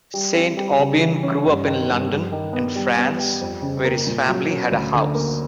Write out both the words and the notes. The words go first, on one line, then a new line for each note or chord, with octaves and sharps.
Saint Aubyn grew up in London and France, where his family had a house.
G3
C4
G3
C#3
E3
C#4
G2
D#3
G2
G2
D#3
B3
G3
B3
G3
F2
C#3
A#3
A#2
F#3
C#4
D2
D3
A#3